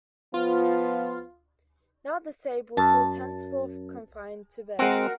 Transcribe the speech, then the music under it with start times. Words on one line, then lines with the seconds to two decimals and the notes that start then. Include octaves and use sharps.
Now disabled, he was henceforth confined to bed.
0.34 F3 B3 F4
2.77 F#2 A5
4.79 G#3 C4 F#4 A#4 F5